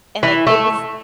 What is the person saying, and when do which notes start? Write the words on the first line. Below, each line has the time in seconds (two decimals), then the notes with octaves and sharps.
And, like, it was
0.23 E3
0.47 A3